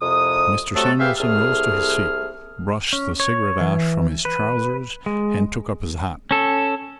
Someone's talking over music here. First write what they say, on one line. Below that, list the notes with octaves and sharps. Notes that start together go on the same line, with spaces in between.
Mr. Samuelson rose to his feet, brushed the cigarette ash from his trousers and took up his hat.
C2 F2 C3 D#6
C3 F#3 A3 F#4 A4
G4 G#4 B4 C5 E5 F5
C2 A3 G#4 F6
C#4
C#5
E3
B4
G#3
C#4 A4